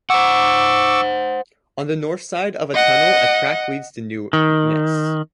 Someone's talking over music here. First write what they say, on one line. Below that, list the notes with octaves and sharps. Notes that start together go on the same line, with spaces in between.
On the north side of the tunnel, a track leads to Newnes.
C5 F#5 C#6 D6 E6
D#5 F#5
D#3